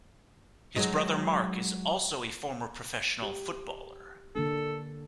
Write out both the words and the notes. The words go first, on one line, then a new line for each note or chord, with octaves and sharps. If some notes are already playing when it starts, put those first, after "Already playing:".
His brother Marc is also a former professional footballer.
F#3 G#3 D#4
G4
D3 A#3 D4 A4